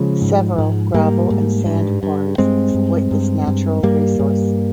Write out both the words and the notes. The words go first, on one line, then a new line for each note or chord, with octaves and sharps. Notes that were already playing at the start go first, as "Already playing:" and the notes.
Several gravel and sand quarries exploit this natural resource.
Already playing: C#3 F3 G#3
G#2
G#2
G#2 G3 A#3
G#2
G2
G2
G2 G#3 C4
G2
G2
G2
G2 G3 A#3
G2